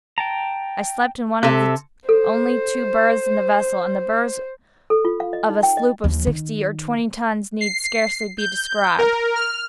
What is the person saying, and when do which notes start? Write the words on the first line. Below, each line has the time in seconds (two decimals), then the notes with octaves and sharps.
I slept in one of the only two berths in the vessel--and the berths of a sloop of sixty or twenty tons need scarcely be described.
0.18 G5 A5 A#5
1.43 C3 A4 E5 F#6
2.09 A4 C5
4.90 A4
5.05 F4
5.20 F5
5.33 D#5
5.49 D#4
5.63 G5
5.77 D#5
6.04 D#2 F3
6.27 D#3
7.61 C7
8.38 G6
8.98 A#4
9.35 F6